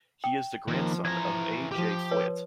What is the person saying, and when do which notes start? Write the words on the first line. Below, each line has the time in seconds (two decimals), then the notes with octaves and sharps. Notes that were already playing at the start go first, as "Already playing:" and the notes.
He is the grandson of A. J. Foyt.
0.24 G5
0.68 D#3 F3 A#3
1.05 E3 A#5 G#6
1.72 F3 G4
2.11 B4 C#5